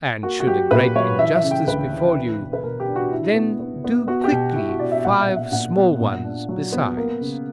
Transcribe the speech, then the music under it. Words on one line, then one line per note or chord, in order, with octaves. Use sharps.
And should a great injustice befall you, then do quickly five small ones besides.
A#3 F#4
F#4
F#3 G4
A#2 B4
F#3 C#5
E3 E5
E5
C#3
G5
D2 B4
E3
D4
B2
B4
B2 A#4
G4
D4
F#4
D4 E4
B3
B3
B3
B3 F#4
G4
B2
B2 E4
F#4
B2 D5
E5
A#2 F#5
E5
B3
E5
A#2 F#5
B3
A#2
D4
F#3
B3
A#3
C#3